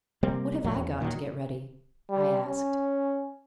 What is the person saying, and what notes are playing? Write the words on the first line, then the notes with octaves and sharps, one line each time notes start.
'What have I got to get ready?' I asked.
C3 G3 A#3 C4
F2 A#2 F#3
E2
A#2 D#3 E3 F#3
G3
C#4